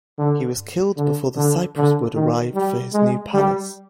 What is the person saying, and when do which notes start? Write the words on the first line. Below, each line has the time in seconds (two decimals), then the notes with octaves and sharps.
He was killed before the cypress wood arrived for his new palace.
0.18 D3
0.97 D3
1.36 D3
1.76 D3
2.15 D#3
2.55 G3
2.94 G#3
3.34 G3